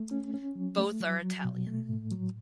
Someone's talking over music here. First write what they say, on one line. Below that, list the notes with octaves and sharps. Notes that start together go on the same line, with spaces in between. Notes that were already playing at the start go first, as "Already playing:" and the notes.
Both are Italian.
Already playing: A3
C#4
C#4
F#3
A3
F#3
F#3
B2
A3
A2
F#3